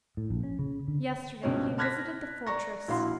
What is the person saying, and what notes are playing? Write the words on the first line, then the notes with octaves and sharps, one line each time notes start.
Yesterday he visited the fortress.
A2
A#1
C#4
C#3
D3
C#2 G2 B2 C4 C#4
A5 F6 F#6 G#6 A#6 B6
D5 A#5 C#6 A#6
A#1 E4 F#4 F5 C6